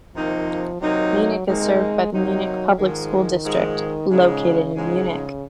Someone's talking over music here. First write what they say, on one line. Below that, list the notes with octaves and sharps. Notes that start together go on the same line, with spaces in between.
Munich is served by the Munich Public School District, located in Munich.
C3 D#3 F3 A#3 D#4
C3 D#3 F#3 A#3 D#4
C3 D#3 G#3 A#3 D#4
C3 D#3 F#3 A#3 D#4
G#2 D#3 F3 G#3
G#2 F3 G#3
G#2 C#3 F3 G#3
G#2 C#3 F3 G#3
C#3